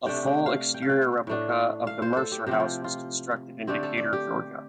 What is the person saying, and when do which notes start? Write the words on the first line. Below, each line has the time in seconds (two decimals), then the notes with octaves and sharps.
A full exterior replica of the Mercer House was constructed in Decatur, Georgia.
0.06 C3 A3 D4 G5
0.27 G5
0.46 F5
0.74 G5
0.82 F5
0.89 G5
1.27 A2 A3 D4
1.87 F5
2.02 C5
2.17 A4
2.32 G4
2.47 C3 F3 C4 G4
2.60 F4
2.84 F4
3.67 D3 A3 C4 G4
3.83 A4
3.97 D5
4.13 G4